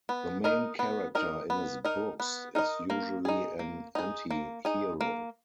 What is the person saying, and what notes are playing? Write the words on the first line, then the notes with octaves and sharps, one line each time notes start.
The main character in his books is usually an anti-hero.
B3
D#4 A#4 D#5
B3
D#4 A#4 D#5
B3
D#4 A#4 D#5
B3
D#4 A#4 D#5
A#3
D#4 G#4
A#3
D#4 G#4
A#3
D#4 G#4
A#3